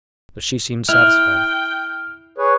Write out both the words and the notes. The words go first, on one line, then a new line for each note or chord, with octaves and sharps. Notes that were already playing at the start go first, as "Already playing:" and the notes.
But she seemed satisfied.
E4 G5 F6
G#4 B4 C#5